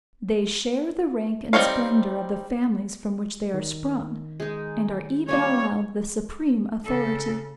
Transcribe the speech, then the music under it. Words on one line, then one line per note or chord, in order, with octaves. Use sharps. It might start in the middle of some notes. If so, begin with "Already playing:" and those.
They share the rank and splendor of the families from which they are sprung, and are even allowed the supreme authority.
G3 C4 D#4 C#5 F5
D#3
G#3 D#4
G3 A#3 C#4 C#5
C#3 A4